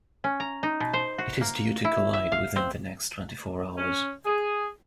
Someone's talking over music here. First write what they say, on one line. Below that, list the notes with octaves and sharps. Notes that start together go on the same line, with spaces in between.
It is due to collide within the next twenty-four hours.
C#4
A#5
D#4
B2
C5
F#4
A#3
E4
E5
F5
C4
C#4
G#4